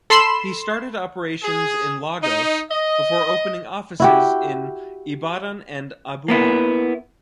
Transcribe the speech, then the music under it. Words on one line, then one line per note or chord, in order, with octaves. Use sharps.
He started operations in Lagos before opening offices in Ibadan and Abuja.
A4 B5 C6 C7 E7
G#4
D#4
D#5
E4 F#4 G4
A#3 B3 E4